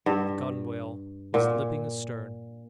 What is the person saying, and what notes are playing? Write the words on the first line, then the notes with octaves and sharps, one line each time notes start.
The gunwale was lipping astern.
G2
A#2